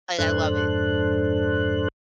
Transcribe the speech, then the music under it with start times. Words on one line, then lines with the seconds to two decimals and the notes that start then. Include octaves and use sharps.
Like, I love it.
0.19 F2 G#2 D4 A4 C5 F#6